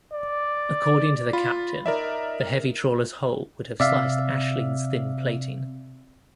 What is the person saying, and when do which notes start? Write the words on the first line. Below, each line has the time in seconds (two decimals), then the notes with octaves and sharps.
According to the captain, the heavy trawler's hull would have sliced "Aisling"'s thin plating.
0.13 D5
1.33 F4 B5
1.86 D#4 A#4 D5 E5
3.80 C3 D5 E5 F5